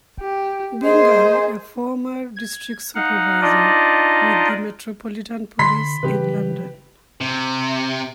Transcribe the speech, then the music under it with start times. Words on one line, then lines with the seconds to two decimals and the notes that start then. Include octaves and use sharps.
Bingham, a former District Supervisor with the Metropolitan Police in London.
0.21 G4
0.83 A#3 G#4 C5 D#5
2.36 G#6
2.95 D#4 F5 F#5
3.42 D4 D#4 F4 D5 D#5
5.59 D3 B5 C6 B6
6.03 C#3 E3 G3 G4 B4
7.21 C3